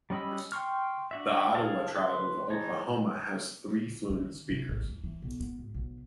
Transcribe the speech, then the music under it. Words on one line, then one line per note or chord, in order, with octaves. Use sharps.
The Ottawa Tribe of Oklahoma has three fluent speakers.
G3 C#4 D#5 B5 E6
G5 C6 C#6 F6
D4 F#4 E5
G#4 F5 A5
B4 C6
E3 G#3 D#4 C#5 A5
D#3
C3
A1
E2
E3
B1
B3
G#1
B1